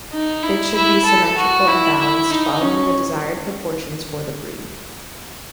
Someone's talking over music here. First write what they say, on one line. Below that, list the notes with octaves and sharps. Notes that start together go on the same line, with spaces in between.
It should be symmetrical and balanced, following the desired proportions for the breed.
D#4
E4
E4
A4
F#4
E4
E4
D#4
C#4